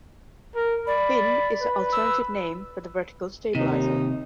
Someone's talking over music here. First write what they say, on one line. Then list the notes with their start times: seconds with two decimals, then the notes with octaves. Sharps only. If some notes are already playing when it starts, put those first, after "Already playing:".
Fin is an alternative name for the vertical stabilizer.
0.55 A#4
0.87 D5 B5
1.62 B4
1.93 E6
3.55 D#2 C3 D#4